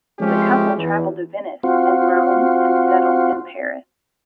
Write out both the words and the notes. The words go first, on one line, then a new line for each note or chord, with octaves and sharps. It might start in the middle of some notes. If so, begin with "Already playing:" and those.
The couple traveled to Venice and Rome and settled in Paris.
F3 G#3 A3 C4 C#4 G4
E2
C4 F4 F#4